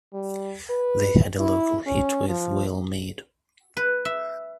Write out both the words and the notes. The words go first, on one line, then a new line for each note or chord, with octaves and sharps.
They had a local hit with "We'll Meet".
G3
B4
E4
C#4
F3
B4
E5